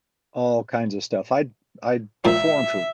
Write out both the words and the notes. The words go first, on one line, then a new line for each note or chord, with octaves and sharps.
All kinds of stuff. I'd I'd performed for
A#2 F3 E5